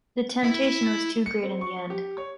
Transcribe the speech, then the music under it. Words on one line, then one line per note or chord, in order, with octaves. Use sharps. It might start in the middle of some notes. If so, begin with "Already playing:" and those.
The temptation was too great in the end.
E4
C#7
C4
C#6
G4
C#5